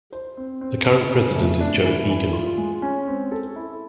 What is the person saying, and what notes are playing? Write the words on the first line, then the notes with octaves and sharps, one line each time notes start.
The current president is Joe Eagan.
C5
C4
C4
C#3
C#3
A3
D4
E3
E3
F4
G#3
C#4
C4
A4
E4